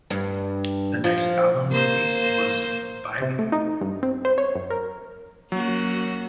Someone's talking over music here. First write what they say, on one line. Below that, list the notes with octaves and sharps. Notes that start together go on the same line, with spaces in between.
The next album release was Buy Me...
G2
F3
A#3 C5
C3
A3
D#4
G2
C4
C5
C#5
F#2
A#4
F#3 A#3 C#4 F#4